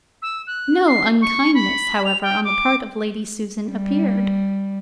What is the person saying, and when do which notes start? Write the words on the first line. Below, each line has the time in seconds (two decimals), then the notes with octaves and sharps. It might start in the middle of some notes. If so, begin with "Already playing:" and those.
No unkindness, however, on the part of Lady Susan appeared.
0.22 E6
0.47 F#6
0.87 C7
1.22 C#6
1.55 B5
2.05 F7
2.23 G5
2.45 D6
3.67 G3